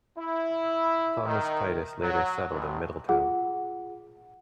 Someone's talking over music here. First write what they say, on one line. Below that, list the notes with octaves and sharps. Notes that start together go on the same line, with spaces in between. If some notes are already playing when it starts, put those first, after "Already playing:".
Thomas Titus later settled in Middletown.
E4
D#3
F#3
A1
F4 G#4 F#5